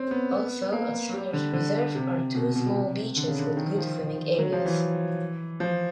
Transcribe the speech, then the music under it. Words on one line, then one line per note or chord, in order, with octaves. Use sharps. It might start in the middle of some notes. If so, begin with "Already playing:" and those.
Also at Sanders Reserve are two small beaches with good swimming areas.
Already playing: C4 C#4
B3
B3
A#3
G3
D3
D3
C3
B2
B2
C3
D3
C#3
D3
D#3
F3
F#3
F3
E3
F3